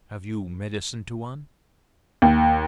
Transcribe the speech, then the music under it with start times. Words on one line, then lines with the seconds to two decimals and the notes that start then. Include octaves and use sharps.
"Have you medicine, Tuan?"
2.22 D#2